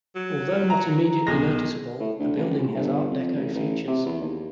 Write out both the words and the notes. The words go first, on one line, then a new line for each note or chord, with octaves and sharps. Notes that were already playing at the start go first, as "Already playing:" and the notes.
Although not immediately noticeable, the building has Art Deco features.
F#3
A#5
B1 G#3 A#6
A2
D2
A1
C#2
G1
F2
A1
A1
C3
E2
D#2